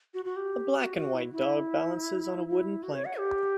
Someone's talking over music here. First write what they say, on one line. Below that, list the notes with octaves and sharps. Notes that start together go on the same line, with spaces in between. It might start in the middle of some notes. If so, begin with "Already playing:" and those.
A black and white dog balances on a wooden plank.
F#4
F#4
G4
F#4
F#4
E4
E4
E4
F#4
C#5
F#5
G4